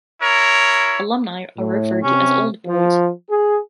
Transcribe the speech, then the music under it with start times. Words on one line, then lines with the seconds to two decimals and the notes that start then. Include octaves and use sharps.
Alumni are referred to as "Old Boys".
0.20 E4 A#4 C#5
1.56 A2
2.04 C3 C#4
2.65 F3
3.30 G#4